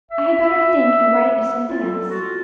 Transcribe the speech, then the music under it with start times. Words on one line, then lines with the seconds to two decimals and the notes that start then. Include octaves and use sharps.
I had better think and write of something else.
0.12 E5
1.69 E4 F4
1.82 F#3 G3 A4
2.11 F4 F#4